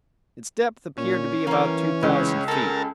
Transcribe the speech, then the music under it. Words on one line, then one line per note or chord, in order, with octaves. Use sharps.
Its depth appeared to be about two thousand feet.
A#2 C#4
E3 G3 A#3
C#2 G#3
C#4 A4 A#4 A5